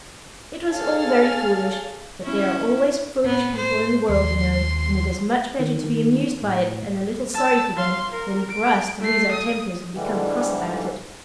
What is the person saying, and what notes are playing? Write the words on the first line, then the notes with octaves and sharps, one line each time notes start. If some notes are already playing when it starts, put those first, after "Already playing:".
It was all very foolish, but there are always foolish people in the world, you know, and it is much better to be amused by it and a little sorry for them, than for us to lose our tempers and become cross about it.
G#4 A4 C#5 F5 F6 A6
C#4 E4
A2 B3
C5
D#2 G#3 C6
D#3
D#3
A2
A5 E6
F5 C6
A#4
D7
A3 C7
D#6
G#2 D3 E3 G3